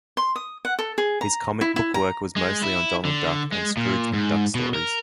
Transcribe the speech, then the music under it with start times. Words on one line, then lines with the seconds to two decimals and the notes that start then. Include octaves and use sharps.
His comic book work was mostly on Donald Duck and Scrooge McDuck stories.
0.17 C6
0.36 D#6
0.65 F#5
0.79 A4
0.98 G#4
1.21 A#5
1.61 E4
1.76 E4
1.94 A#5
2.36 G#3
2.63 E4
3.05 D3
3.52 G#3
3.77 A#2
4.14 G#2
4.55 B2
4.74 A#4